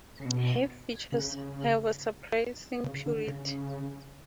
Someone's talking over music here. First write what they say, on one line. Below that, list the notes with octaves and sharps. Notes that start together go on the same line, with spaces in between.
Her features have a surprising purity.
C#3
B2
C#3
C#3
D3
C#3